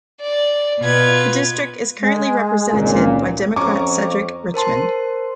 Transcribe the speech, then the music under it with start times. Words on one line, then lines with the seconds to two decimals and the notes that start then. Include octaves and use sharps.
The district is currently represented by Democrat Cedric Richmond.
0.22 D5
0.81 B2 F4 B4 G#6
2.00 G#3
2.72 G#1 C#2 A#2
3.56 F2 C#4 A#5 C#6 D6
4.54 A#4 C5 A5 C6